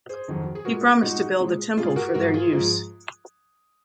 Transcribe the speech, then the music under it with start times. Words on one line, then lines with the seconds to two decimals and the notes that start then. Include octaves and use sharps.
He promised to build a temple for their use.
0.09 G#4 C5
0.28 F2 D#3 F#3
0.55 G#4
0.65 A#2 G#3 F#4 A#4
1.02 A#2 G#3 D#4 F#4
1.40 A#2 G#3
1.77 A#2 G#3 F4 G#4
1.96 F#4 A#4
2.14 G#2 F3 G#3 F#4 A#4
2.34 F4 G#4
2.52 G#2 F3 G#3